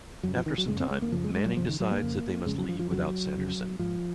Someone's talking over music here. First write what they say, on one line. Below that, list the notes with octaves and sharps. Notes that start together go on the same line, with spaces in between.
After some time, Manning decides that they must leave without Sanderson.
F#2 C#3 F#3
F3
D#3
F#3
F#2 C#3 G#3
C4
G#3
A#3
F#2 C#3 F3
G#3
G#3
F#3
F#2 C#3 F3
D#3
F#3
A#3
F2 C#3
F2 C#3 G#3
F#3
F3
F3
F2 C#3 F#3
F2 C#3
G#2 F3